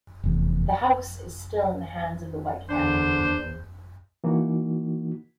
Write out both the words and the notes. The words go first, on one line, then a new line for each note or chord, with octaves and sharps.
The house is still in the hands of the White family.
F1 E2
E2 D3 D4 C5
E3 A#3 D#4 F#4